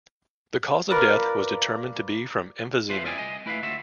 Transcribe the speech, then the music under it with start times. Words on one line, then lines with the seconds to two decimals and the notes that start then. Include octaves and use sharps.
The cause of death was determined to be from emphysema.
0.91 F4 A#4 B4 D5
2.90 F4 B4 C5 E5 F5
3.05 C4 E4 D5 D#5 G5 G#5
3.18 C2 D#5 G#5
3.46 A3 E4 B4 E5 F5
3.63 D2 F4 F#4 E5